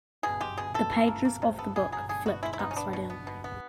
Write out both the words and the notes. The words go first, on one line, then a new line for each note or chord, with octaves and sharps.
The pages of the book flipped upside down.
B2 G#4
G#3 G4
B2 G#4
B2 A4
E3
A#3
A#3
C3
B3 A4
B3 G#4
F#3 G#4
D3 G#4
B3 F#4
G#3 E4
E4
B3 D#4
C#4
B3 D4
B2
B3
B2
B3